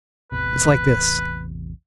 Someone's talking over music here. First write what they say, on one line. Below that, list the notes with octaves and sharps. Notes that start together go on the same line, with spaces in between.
It's like this.
A1 E2 C3 B4